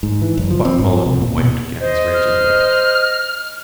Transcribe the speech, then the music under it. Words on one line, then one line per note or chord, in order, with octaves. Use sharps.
Buck Mulligan wiped again his razorblade.
G#2
E3
F#1
F3
C4
G#2
F3
C3
A#2
B2
C5 D#5
F6